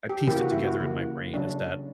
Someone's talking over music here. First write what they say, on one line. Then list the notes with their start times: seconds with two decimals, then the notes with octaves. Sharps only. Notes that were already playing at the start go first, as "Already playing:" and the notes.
I pieced it together in my brain is that,
0.09 G4
0.27 C#3 E3 A#3 G4
0.39 F#4
0.51 E4
0.64 F#4
0.80 C#3 E3 A#3
1.33 C#3 F#3 C#4 D4